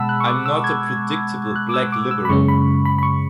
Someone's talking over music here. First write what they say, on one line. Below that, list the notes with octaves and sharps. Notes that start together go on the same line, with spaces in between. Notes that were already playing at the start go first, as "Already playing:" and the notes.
I'm not a predictable black liberal.
Already playing: B2 G#3 F#5 A5 B5 E6
F#6
C#6
D6
E6
G#6
F#6
D6
E6
D6
E6
B5
F#2 C#3 G#3 C#4 C#6
B5
B5
B5
C#6